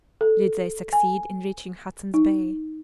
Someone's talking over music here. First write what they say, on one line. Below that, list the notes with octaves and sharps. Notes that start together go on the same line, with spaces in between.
Did they succeed in reaching Hudson's Bay?
A4
G#5
D#4